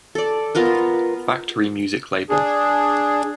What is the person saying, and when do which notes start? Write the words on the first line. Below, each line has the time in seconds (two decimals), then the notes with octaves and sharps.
Factory music label.
0.15 A4 D5
0.55 B3 F4 A#4 B4
2.30 D4 G#4